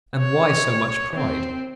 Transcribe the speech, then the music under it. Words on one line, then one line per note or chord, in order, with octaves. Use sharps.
And why so much pride?
C#5
C4